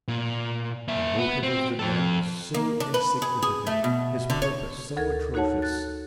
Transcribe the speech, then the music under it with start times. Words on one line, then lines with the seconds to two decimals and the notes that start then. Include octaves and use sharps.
The motive of the man was so insignificant, his purpose so atrocious.
0.08 A#2
0.88 A#3 E5
1.17 B3
1.43 C4
1.79 F2 A4
2.54 A#3
2.80 D4
2.94 B4
3.22 G#4
3.43 G#4
3.67 A3
3.84 B2
4.30 D3
4.42 C#5
4.97 D2 A4 A#4 G#6
5.34 D#4 F#4 A4 C#5 F#5 A5
5.62 F#6 A6